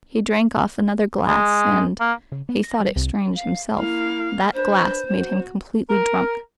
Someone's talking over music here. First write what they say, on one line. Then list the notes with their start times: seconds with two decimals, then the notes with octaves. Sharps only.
He drank off another glass, and--he thought it strange himself--that glass made him completely drunk.
1.27 G#3
2.00 A#3
2.32 C#3
2.49 B3
2.64 A#6
2.80 G3
2.96 C2
3.35 F5
3.76 A#3 E4 F5
4.53 D4 B4 C5
5.09 F#4
5.89 A#4